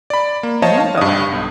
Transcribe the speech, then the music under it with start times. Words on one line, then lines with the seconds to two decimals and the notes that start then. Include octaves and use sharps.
Mhm, bye-bye.
0.10 D5 B5
0.43 A#3
0.62 C5 C#5 D#5 F5 A5
0.77 F5 A5
0.98 G2 D#6
1.32 B1